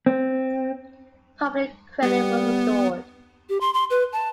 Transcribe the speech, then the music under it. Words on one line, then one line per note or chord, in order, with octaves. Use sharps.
Public credit was restored.
C4
G3 B3
G4
C6
C6
B4
A5